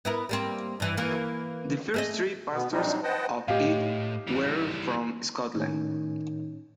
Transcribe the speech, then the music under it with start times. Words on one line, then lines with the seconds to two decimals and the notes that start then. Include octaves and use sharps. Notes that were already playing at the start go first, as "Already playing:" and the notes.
The first three pastors of it were from Scotland.
0.05 B3 E4 A#4
0.29 G3 A#3 C4
0.80 G2 E3
0.97 E3 A#3
1.94 A3 G#4 D#5
2.53 B2 B3
2.72 A#2 F#3 G3 C4 D4 D#4
3.03 B4 C5 D#5 F#5 G5 A5
3.48 A2 G4 D#5 F5
4.27 E3 G3
5.56 A2 D#3 C#4